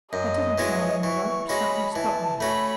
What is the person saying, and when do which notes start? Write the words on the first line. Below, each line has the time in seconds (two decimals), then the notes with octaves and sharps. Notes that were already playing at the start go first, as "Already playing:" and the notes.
I didn't throw him the rope; something stopped me.
0.12 F#2 D#5
0.58 E3 G#3 C#4 F#4
1.03 E3 C#6
1.49 G#3 C#4 F#4 B5
1.95 E3 A5
2.40 A3 C#4 F#4 B5